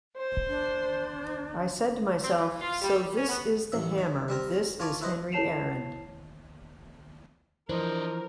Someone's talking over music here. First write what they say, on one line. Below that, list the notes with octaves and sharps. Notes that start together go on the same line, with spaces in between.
'I said to myself, so this is the Hammer, this is Henry Aaron.
C5
D4
C4
E3
F4
G3
G3
C#4
B3
A1 E5
D#3
G3 C4 A#4
F4 C#5 G#5 A5 D6
E4 B4 C5 D#5
E4 C#5 A5 C7 E7 F7
E3 F3 D4 A#4 C5 D#5